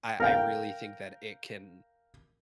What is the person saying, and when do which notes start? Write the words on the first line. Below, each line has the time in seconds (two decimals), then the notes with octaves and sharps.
I I really think that it can
0.20 A#4 F5 G5